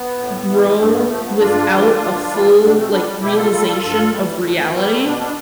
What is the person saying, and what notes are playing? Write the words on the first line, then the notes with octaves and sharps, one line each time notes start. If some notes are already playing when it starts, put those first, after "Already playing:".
grow without a full, like, realization of reality,
Already playing: B3
A2
E3 G3
G2 A3 C4
B3
F3 A3
B3
G2 D4 F4
E3 G3
G2
E3 G3
B2 B3 D4
A3 C4
G3 B3 D4
B2 E4 G4
F4 A4
G3 F4 A4
F4 A4
G2 F4 A4
E3 G3
A2 A3
B3
G3 B3
A3 C4
B2 B3 D4
B3 D4